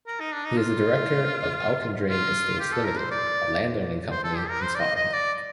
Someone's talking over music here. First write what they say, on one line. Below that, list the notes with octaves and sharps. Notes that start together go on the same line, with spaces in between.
He is a director of Auchendrane Estates Limited, a landowning company in Scotland.
A#4
D#4
D4
D#4
F4
F4
G4
A4
A#4
C5
D5
C5
A4
G4
A#4
C5
D5
D#5
D#5
D5